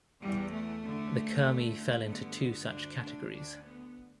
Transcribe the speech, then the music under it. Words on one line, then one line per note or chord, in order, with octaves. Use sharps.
The Kurmi fell into two such categories.
E2 E3 G3
A3
D2 D3
D2 D3
G2 D3 B3
D2 D3 D4
D4
D2 D3 D4
B3